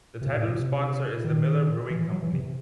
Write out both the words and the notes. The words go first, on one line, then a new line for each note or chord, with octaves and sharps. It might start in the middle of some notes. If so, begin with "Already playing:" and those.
The title sponsor is the Miller Brewing Company.
C3
B2
A2
B2
C3
D#3
E3
E3
F#3
E3
C3
C3